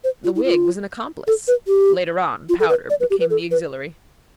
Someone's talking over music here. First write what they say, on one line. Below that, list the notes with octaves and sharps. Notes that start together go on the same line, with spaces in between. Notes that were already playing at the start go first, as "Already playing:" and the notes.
The wig was an accomplice: later on, powder became the auxiliary.
C5
F4
E4
F4
A4
B4
G4
F4
A4
B4
D5
B4
G4
B4
A4
B4